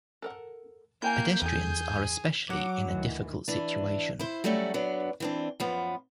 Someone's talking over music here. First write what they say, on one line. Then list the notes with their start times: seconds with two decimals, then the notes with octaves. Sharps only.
Pedestrians are especially in a difficult situation.
0.22 A4 A#4 F#5
1.02 A#3 E4 G5 G#5 G6
1.42 E2 D#3 G#4 A4
2.50 F#3 F#5 D6
2.84 D2 D#3 E3
3.48 E3 D4
4.19 E4 C5
4.44 F#3 G3 A3 C#4 F#4 A4
4.74 F#3 B3 D4
5.20 E3 C4 D4
5.60 F#2 F3 B3